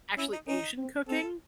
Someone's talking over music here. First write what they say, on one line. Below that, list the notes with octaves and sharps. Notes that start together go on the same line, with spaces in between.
actually Asian cooking?
C#4 E4
D#4
C#4 D#4
C4
C4 A4